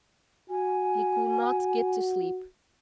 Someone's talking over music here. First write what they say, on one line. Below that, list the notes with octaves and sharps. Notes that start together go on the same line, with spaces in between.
He could not get to sleep.
F#4 G#5